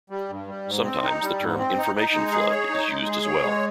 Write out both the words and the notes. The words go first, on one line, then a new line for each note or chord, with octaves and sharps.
Sometimes the term "information flood" is used as well.
G3
G2
G3
G#2
C4
D#4
G3
G#2
C4
D#4
D#4
G#3
G#4
C#5
D#4
G#3
G#4
C#5
G#3